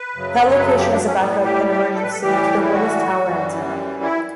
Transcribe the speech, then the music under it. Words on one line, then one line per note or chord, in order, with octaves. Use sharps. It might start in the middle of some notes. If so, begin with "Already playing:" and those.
That location is a back-up, in emergency, to the Willis Tower antenna.
Already playing: B4
F#2 C#3 F#3
C#5
B4
A4
G4
D4
C#4
A2 G3 B3
G4
G4
A4
B4
A4
A2 E3 G3 G4
E4
F#4
F#2 E3 G3
E4